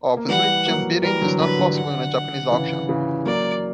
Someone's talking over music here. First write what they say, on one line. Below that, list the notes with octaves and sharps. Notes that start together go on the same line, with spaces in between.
Obviously, jump-bidding is not possible in a Japanese auction.
A#3
E3 G3 F#5
F#3 A#3
E3 G3 A#4
D3 F#3
D3 B4
D3
F#5
C#3 E3
C#3 E3
F#3 A#3 D5